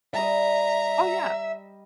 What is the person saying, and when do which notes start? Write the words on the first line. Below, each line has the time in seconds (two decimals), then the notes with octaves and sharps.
Oh, yeah.
0.14 G3 D#5 E5 A#5